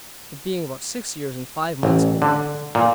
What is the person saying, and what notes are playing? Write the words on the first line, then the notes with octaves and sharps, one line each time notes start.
It being about six years, and five months old.
A1
D3
A#2